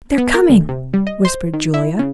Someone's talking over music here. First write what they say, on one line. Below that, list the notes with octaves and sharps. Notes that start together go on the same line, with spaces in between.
"They're coming," whispered Julia.
B3
A#4
D2
C3
G3
D#5
C5
D#3
E4
C#3